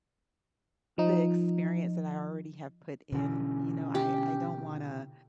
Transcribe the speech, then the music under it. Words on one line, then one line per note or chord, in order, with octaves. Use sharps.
the experience that I already have put in, you know, I I don't wanna,
F3 D#4
B2 D3 E3 C#4
G4